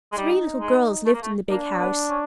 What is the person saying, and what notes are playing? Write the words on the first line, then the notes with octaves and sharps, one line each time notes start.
Three little girls lived in the big house.
G#3
G3 D#4
G#3
A3
A#3
A3
A#3 D4
B3
C#4